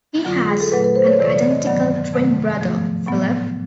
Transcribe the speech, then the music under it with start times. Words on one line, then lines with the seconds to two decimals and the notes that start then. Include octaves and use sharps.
He has an identical twin brother, Phillip.
0.25 F2 D3 F#3 F4
0.48 G#4
0.60 A4
0.72 A#2 F#3 A3 B4
0.84 B4
0.96 C5
1.07 C#5
1.19 F2 C3 E3 A3 D5
1.35 D5
1.51 D#5
1.66 G2 D#3 F#3 B3 D5
2.13 F2 C3 D#3 F#3 A3
2.60 G#2 F3 A3
3.06 A2 F#3 B3